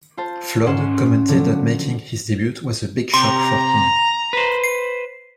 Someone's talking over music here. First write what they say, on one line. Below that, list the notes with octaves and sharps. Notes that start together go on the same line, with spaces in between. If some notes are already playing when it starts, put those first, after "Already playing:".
Flood commented that making his debut was a "big shock" for him.
F4 C5 A5
G#2 C#4 F#5 C6 F6 E7
D3 F3 F#3 B3
C3 G4 A#5 C6
B4 C5
C7